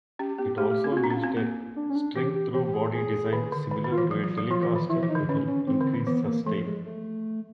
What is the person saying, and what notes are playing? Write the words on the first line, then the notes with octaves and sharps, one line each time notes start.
It also used a string-through-body design similar to a Telecaster to help increase sustain.
C#4 G4
B3 G4
A3 G4
A3
C4
F4
C4 F#4
D4
C#4 F#4
F4
C4
A#3
D4
C#4
D4
E3 G4
G4
E3 G4
G4
G#4
G#4
D#3
D3
D#3
D#3
F4
E3
F#3
F#3
F#3
F3 F4
E3
D#3
F3 E4
E3
D#4
D3
D#3 C#4
C#4
E3 C4
D3
D#3
E3 B3
A#3
F3 A3
G#3
A3